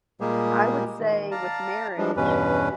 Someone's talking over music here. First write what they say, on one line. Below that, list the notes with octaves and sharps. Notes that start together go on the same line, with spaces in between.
I would say with marriage,
A#2 G3 G#3 A#3 G4 G#4
D#3
D5 F5 A5 A#5
F3 G3 G#3 D4
E2 G2 B2 C#4 B4